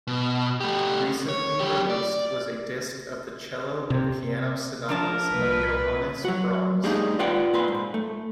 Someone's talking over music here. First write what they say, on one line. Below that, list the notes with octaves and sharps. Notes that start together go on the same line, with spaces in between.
Recently released was a disc of the cello and piano sonatas of Johannes Brahms.
B2
A3 G4
C#5
F#3 G4
D5
C3
F3 D4 A#4 A5
C2 A#2 B4
F#3 F#4
G#3 A#3 D4 D#4 G4 G#4
F4 B4 D5 F#5 G5
A#2 B4 C6
G#2
A3